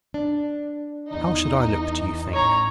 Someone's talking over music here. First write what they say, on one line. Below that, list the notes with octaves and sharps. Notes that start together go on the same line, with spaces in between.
How should I look, do you think?'
D4
E2 D#4
A1 C#5 A#5